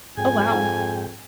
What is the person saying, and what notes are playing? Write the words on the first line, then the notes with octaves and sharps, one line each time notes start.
Oh wow.
F2 G#2 G#4 G5 G#5